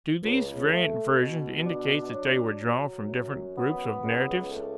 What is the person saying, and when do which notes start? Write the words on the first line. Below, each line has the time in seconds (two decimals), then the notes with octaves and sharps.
Do these variant versions indicate that they were drawn from different groups of narratives?
0.23 C#2
0.71 A3
1.18 B2
1.65 D4
2.13 F#3
2.61 F#3
3.09 F#2
3.55 B3
4.03 C#2
4.50 A3